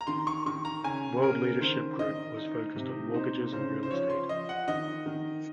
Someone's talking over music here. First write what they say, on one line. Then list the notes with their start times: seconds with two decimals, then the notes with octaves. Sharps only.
World Leadership Group was focused on mortgages and real estate.
0.01 A#5
0.07 D#3 C6
0.27 C#6
0.46 D#3 C#6
0.65 A#5
0.84 C#3 G#5
1.22 C#3 A#4
1.60 D#3 C5
1.99 D#3 D#5
2.37 D#4
2.76 C3
3.14 D#4 C5
3.52 C#3 C5
3.83 C5
3.91 F3 C#5
4.10 C6
4.29 F3 D#5
4.49 F#5
4.68 D#3 D#5
5.06 D#3